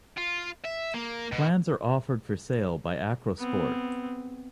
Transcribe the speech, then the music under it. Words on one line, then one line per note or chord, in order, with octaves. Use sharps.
Plans are offered for sale by Acro Sport.
F4
E5
A#3
B2
B3 C4